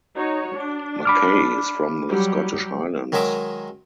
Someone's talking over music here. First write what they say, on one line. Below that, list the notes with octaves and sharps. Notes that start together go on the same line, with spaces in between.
Mackay is from the Scottish highlands.
D#4 F#4 C#5
D4
B5 D6 F6
F#3 G3 G4
D#3 F#3 G#3 D#5 E5 D6